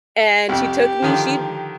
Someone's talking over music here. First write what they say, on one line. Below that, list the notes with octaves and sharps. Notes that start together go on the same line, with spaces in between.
and she took me She b
C2 F2 G4
D3 D#3 F3